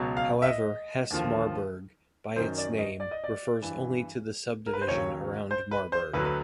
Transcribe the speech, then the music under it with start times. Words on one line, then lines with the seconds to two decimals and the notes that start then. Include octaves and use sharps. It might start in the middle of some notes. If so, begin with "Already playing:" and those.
However, Hesse-Marburg, by its name, refers only to the subdivision around Marburg.
Already playing: C#2 B2 F#3
0.17 F5
0.42 E5
0.48 D#5
1.11 D#2 D3 F3
2.36 F#2 D#3 F#3 C5
2.58 D5
2.79 D#5
3.00 D5
3.11 D#5
3.24 D5
3.62 G2 E3
4.66 A#4
4.73 B4
4.81 C5
4.88 D#2 C#3 F#3 C#5
5.51 C5
5.71 B4
5.92 C5
6.14 D2 D3 F#3 B4
6.25 B4